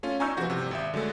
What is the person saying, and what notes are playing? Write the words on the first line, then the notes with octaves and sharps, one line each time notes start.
take that down.
A3 C#4 F4
G#5 A#5 C#6 E6 G6
E3 F3 F#4
C3
G#1 E5
D3 F#3 G#3 A3